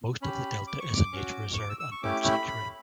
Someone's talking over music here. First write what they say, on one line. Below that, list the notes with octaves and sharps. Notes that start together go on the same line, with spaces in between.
Most of the delta is a nature reserve and bird sanctuary.
C#4 G4 B5
D6
C#6
D6
C#4 F#4
C#6
D6
E6
E6
C#6
A3 C#4 E4 G4 D6
B5
B5